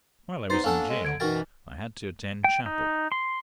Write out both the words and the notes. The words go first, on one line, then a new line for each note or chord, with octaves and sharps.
While I was in gaol I had to attend chapel.
E2 D#4 B4 C5 A6 C7
A#3 B3 C#4 D4 A4 F5 F#5 G#5
G#3
D3 G#6 D7
F#2 B2 E3 D#4 F#4 A#4 G5 A6
G5
D#4
C6